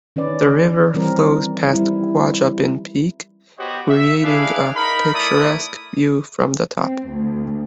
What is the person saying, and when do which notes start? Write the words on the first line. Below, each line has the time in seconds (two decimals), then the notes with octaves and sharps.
The river flows past Quajabin Peak, creating a picturesque view from the top.
0.16 D#3 C#4 B4 D5
0.94 E3 G3 C4 A#4
1.73 G3 E4
3.58 B3 F#4 G4 C5 C#5 D#5
3.89 E5
4.24 D4 E4 G#4 B4 D5 F5
4.76 D#4 A#4 B5
5.14 A3 E4 A#4 D5 B5 D#6
6.78 C4
7.10 D2